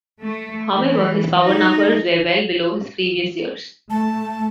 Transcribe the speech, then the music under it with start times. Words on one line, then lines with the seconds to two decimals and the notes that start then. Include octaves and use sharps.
However, his power numbers were well below his previous years.
0.23 A3
0.73 E3
1.42 D#4
3.90 A3 A5